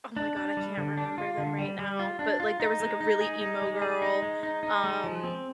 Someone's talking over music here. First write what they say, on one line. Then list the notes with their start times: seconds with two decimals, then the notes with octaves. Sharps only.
Oh my god, I can't remember them right now, but, like, there was like a really emo girl, um,
0.17 D4
0.37 D4
0.57 G3
0.77 D3
0.97 D4
1.18 F4
1.38 D3
1.59 G3
1.79 G3
1.99 F4
2.19 D4
2.40 F4
2.60 D#4
2.80 G#3
3.01 D#4
3.21 G#4
3.41 D#4
3.62 G#3
3.82 G#4
4.02 D#4
4.22 G#3
4.43 D#4
4.63 D#4
4.84 G#3
5.04 F3
5.24 C4